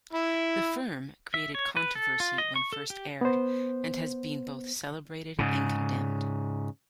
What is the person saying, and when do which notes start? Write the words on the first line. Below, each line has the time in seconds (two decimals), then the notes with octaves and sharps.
"The Firm" created controversy when first aired, and has been both celebrated and condemned.
0.13 E4
1.34 E5
1.55 C#5
1.77 B4
1.95 A4
2.20 F4
2.38 D#5
2.56 C#6
2.73 A4
2.90 G4
3.21 B3 C5
5.39 G#2 C#3